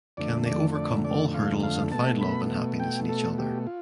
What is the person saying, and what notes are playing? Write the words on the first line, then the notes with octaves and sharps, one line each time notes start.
Can they overcome all hurdles and find love and happiness in each other?
F2 D3 A3 D5
D5
D5
D5
F5
F5
B2 A3 A5
B5
G5
A4
G4
F4